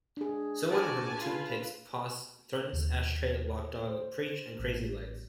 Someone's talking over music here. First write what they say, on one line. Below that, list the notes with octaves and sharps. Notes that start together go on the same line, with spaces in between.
Someone from Toothpicks posse threatens Ashtray, Loc Dog, Preach, and Crazy Legs.
D4 G#4
F#4 D5 G#5 A5
F4 B4
D#2
C5
A1